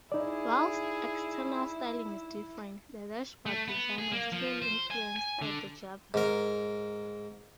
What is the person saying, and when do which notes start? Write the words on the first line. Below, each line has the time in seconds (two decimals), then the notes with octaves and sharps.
Whilst external styling is different, the dashboard design was clearly influenced by the Java.
0.12 D#4 E4 G#4 D5
3.46 A3
3.68 B3
3.98 G#4
4.12 A#3
4.32 F3
4.62 C5
4.91 G#5
5.16 G#5
5.42 D3
6.14 G#2 A#4